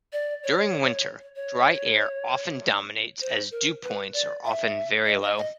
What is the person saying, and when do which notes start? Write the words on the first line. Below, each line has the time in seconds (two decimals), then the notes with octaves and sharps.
During winter, dry air often dominates as dew points are often very low.
0.13 D5
0.43 C#5
1.36 C#5
3.21 C5
3.51 A#4
3.83 B4
4.13 D5
4.45 E5
5.06 D#5
5.21 D#5
5.37 D#5